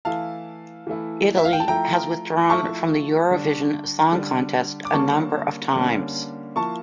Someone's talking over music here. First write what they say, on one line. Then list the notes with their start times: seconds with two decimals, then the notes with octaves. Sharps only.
Italy has withdrawn from the Eurovision Song Contest a number of times.
0.05 E3 A3 E4 F5 A5
0.87 E3 A3 E4
1.37 E5
1.45 F5
1.53 G5
1.60 A5
1.68 F3 A3 E4 G5 A#5
2.49 F3 A3 E4 A5 C#6
3.30 D3 G3 D4
4.12 D3 G3 D4
4.85 D6
4.93 D3 G3 A#3 C#4 A5 C#6
5.75 D3 G3 A#3 C#4
6.56 F3 A#3 E4 A5 C#6